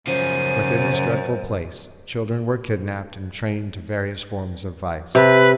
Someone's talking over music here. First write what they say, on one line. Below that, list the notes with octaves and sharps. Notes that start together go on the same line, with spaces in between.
Within this dreadful place children were kidnapped and trained to various forms of vice.
F#2 C#3 F3 C5 D#7
C3 B4